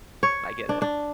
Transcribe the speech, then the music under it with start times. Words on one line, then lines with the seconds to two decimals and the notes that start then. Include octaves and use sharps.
I get it.
0.23 C#5
0.69 D4
0.82 D4